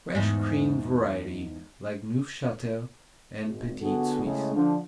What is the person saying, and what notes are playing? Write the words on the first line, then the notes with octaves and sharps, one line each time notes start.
Fresh cream variety like Neufchatel and Petit Suisse.
E2 G#2
G#1
D3 B3 F#4 G#4 A4
A2 C#3 G#3
D3 F3 D4